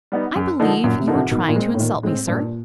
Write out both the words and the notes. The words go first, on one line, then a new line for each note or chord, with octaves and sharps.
"I believe you are trying to insult me, sir."
G3 B3 D#4
F#2
D3 F3 A#3 D#4
F#2 A#2
C3
D3 F3 A#3 D#4
C3
B2 D#3
A#2
G#3 C4
A2
A#2 D#3
A2 G#3 C4
G2 A#2